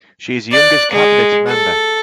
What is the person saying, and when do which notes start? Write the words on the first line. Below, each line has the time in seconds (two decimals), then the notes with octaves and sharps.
She is the youngest cabinet member.
0.51 D5 F#6
0.91 G#3
1.46 A4